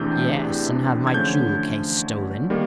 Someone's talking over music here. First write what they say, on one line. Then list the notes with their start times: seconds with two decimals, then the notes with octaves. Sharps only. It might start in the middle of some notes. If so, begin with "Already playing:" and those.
'Yes, and have my jewel-case stolen!
Already playing: E2 C3 E3 A3 D4 G6
1.07 G#6
1.14 D3 F3 A3 C#4 G6
2.50 D#3 G3 A#3